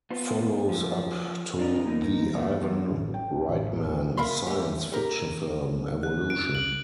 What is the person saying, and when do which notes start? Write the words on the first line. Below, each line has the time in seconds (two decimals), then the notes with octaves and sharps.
Follows up to the Ivan Reitman science fiction film, "Evolution".
0.10 B3 F4 C5
0.69 F3
1.59 G2 D4 A#4 D#5
1.86 A#3 D#4 A#4
2.33 F#2 A#2 A3
2.62 E2
2.91 A1
3.14 G5
3.48 A1
4.18 A#4 E5 F5 B5 C6
4.47 A3 G4
4.92 G4 A#4
6.03 F#6
6.30 D7
6.55 F#7